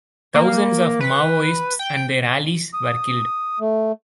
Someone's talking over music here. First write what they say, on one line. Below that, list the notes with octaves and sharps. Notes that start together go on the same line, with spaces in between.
Thousands of Maoists and their allies were killed.
A#3
B4
G5
D#6
A3